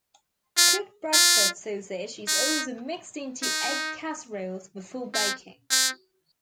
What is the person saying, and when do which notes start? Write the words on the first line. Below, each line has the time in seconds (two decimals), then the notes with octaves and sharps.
Cooked breakfast sausage is also mixed into egg casseroles before baking.
0.57 F4
1.13 F4
2.28 D#4
3.43 D#4
5.14 C4
5.71 C4